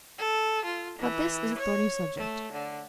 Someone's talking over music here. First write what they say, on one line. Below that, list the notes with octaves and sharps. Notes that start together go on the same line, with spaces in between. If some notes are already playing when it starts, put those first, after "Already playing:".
But this is a thorny subject.
A4
F4
E3
C#5
A3
D3